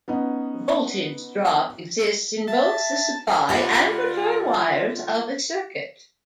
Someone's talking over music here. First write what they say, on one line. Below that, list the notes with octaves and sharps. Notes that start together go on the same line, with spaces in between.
Voltage drop exists in both the supply and return wires of a circuit.
B3 C#4 D#4
E5 A5
D3 A3 F4 G4 B4 D5 F#5